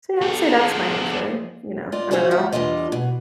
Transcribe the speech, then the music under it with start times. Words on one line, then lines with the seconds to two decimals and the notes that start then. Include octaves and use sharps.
so, yeah, I'd say that's my answer, you know? I don't know,
0.21 F3 B3 G#4 A4
1.92 F4 D5 D#5
2.11 E4 F#4 G#4 C5 C#5
2.31 D#2 E5 F#5
2.52 E2 G3 D4 F4 D#5
2.92 B2